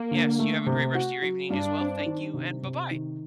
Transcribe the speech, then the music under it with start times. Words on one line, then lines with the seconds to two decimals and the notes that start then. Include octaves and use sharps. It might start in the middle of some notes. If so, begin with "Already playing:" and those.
Yes. You have a great rest of your evening as well. Thank you, and buh-bye!
Already playing: A#3
0.11 D3
0.39 A3
0.67 C3
0.95 F#4
1.22 F#3
1.50 G2 D4
1.79 C4
2.06 D#3
2.34 C3
2.63 C3
2.91 D#3